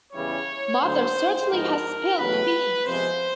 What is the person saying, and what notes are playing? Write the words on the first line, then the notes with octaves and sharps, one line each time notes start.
Mother certainly has spilled the beans!
E2 C#3 E3 G3 C#5
D2 D3 F#3 C5
G#2 F3 G#3 B3 A#4
E2 B2 F#3 A3 B4
F2 C3 F3 G#3 B3 C5